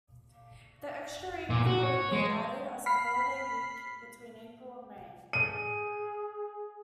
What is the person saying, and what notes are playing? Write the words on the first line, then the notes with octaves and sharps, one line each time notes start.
The extra week would be added as a holiday week, between April and May.
A#2
F#4
C#5
G#3
B5 F6 B6 C7
G#4 D#7